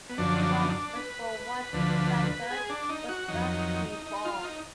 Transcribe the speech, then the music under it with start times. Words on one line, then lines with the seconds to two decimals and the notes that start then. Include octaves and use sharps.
One notable watch inspector was Webb C. Ball.
0.09 B3
0.18 F#2 D3 F3 D4
0.38 D#4
0.44 D4
0.60 D#4
0.70 D4
0.96 B4
1.73 D2 D3 F3
2.50 G#4
2.70 D4
2.89 D#4
3.09 F#4
3.28 F2 D#3 F#3 D#4
4.06 D#4
4.25 F4
4.45 D#4